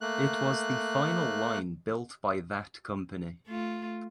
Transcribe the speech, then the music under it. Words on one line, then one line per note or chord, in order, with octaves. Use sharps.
It was the final line built by that company.
A3 A#3 F#6
A3 F4